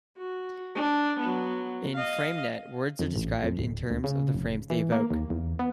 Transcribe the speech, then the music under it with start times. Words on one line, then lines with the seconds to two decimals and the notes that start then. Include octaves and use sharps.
In FrameNet, words are described in terms of the frames they evoke.
0.18 F#4
0.75 D4
1.20 F#3 B3
1.94 D#5 F5
2.99 F2
3.16 A1
3.43 F2
3.59 D1
3.90 D2
4.04 C#3
4.34 F1
4.70 E3
4.92 A#3
5.10 D#2
5.30 E2
5.59 B3